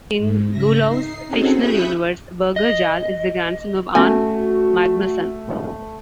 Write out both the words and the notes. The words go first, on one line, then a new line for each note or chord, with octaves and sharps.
In Guillou's fictional universe, Birger Jarl is the grandson of Arn Magnusson.
G#2
C#3 E5 A#6
D#4 C7
C4 C#4 D#4 F#4 G#4 A4
E5 B5 C#6 D#6 F#6 G6
D#5
A3 B3 C#4 F#4 G#5